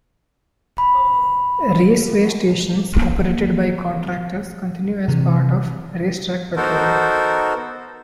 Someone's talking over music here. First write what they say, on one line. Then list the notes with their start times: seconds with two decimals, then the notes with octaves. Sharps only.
RaceWay stations, operated by contractors, continue as a part of RaceTrac Petroleum.
0.78 B5
2.96 A#3
5.08 C3 E3
6.56 B3 D#4 F#4 A4 A#4 C5